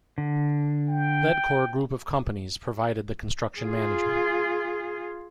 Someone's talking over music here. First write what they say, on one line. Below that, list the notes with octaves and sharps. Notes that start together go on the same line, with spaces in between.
Ledcor Group of Companies provided the Construction Management.
D3
G5
F4 G#4